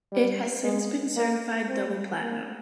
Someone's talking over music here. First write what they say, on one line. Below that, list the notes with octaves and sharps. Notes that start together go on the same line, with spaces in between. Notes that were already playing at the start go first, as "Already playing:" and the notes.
It has since been certified double platinum.
G3
G#3
A#3
C4
A#3